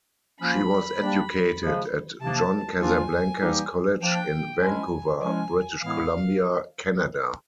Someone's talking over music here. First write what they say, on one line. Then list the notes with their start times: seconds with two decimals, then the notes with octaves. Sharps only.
She was educated at John Casablanca's College in Vancouver, British Columbia, Canada.
0.40 F3 A#3 C#4 F4 B5
1.00 G3 A#3 D4 G4
1.60 C#3 F3 G#3
2.20 C3 F3 A#3 D4 A5
2.81 F3 A#3 D4 F4 G#5
3.41 E3 G3 A#3 D#4 G4
4.01 F3 A#3 D4 G5
4.61 F3 G#3 C#4 E4 G#5
5.21 F3 G#3 C#4 E4 G#5
5.81 A2 E3 G#3 B3 E4 F5